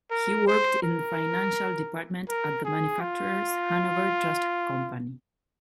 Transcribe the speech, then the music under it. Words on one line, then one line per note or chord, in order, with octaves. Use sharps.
He worked in the financial department at the Manufacturer's Hanover Trust Company.
A#4
C5
A#4
A#4
G#4
F4